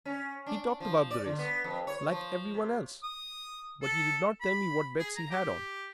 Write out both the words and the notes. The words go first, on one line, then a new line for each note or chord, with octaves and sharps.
"He talked about the race, like everyone else, but he did not tell me what bets he had on."
C#4
D4
F3
D5
D3
B3
F2
C#5
F3
C3
D#6
A4
B5
G#4
A#5
G4